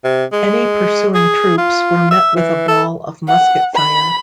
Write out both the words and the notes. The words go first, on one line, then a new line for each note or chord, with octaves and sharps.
Any pursuing troops were met with a wall of musket fire.
C3
G#3
G#4
F4
E5
E3
A4
F#5
B5